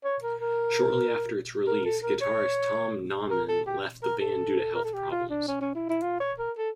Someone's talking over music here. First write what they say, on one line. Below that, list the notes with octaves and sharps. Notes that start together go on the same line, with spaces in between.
Shortly after its release guitarist Tom Naumann left the band due to health problems.
C#5
A#4
A#4
A#4
A4
A#4
C#5
A#4
A4
G4
A#4
A4
A#4
A4
G4
F4
D4
C#4
C#4
E4
E4
F4
C#5
A#4
A4